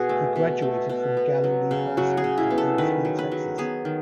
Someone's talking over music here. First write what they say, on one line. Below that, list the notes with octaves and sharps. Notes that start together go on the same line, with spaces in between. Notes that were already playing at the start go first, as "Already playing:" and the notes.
He graduated from Galilee High School in Hallsville, Texas.
Already playing: B2 F#4 G#4
A3
B2
A3
B2
B3
F#3
C#3
F#3 F#4
G#4
C#3
E4
B3
A4
D#3 B4
F#3
B4
F#3
B3 G#4
D#3